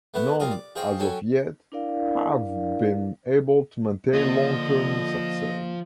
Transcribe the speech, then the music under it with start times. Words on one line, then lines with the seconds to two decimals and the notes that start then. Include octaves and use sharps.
None as of yet have been able to maintain long-term success.
0.14 A3 B3 E4 B4 F#5
0.40 G3 C4 F4 A#4 D#6
0.51 D5
0.75 F4 G#4 C5 D#5 G5 C#6
1.00 F#3 C#4 A4 G5 G#5
1.72 D4 E4 A#4 D5 F5
4.13 D3 F3 A#3 F4 D#5